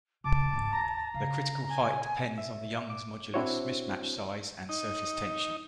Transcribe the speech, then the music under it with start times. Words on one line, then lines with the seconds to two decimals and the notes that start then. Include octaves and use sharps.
The critical height depends on the Young's modulus, mismatch size, and surface tension.
0.24 C#3 E4 A5 D6
0.53 G#1 D#4
0.73 D#2 A#5
1.14 C#3 F5
1.69 G#5
2.38 E5
2.90 D6
3.34 C4 D4 E4 F#4 C5 C#5
4.69 D#4